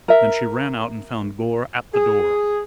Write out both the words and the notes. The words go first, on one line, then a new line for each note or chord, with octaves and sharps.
Then she ran out and found Gore at the door.
A#4 E5
G#4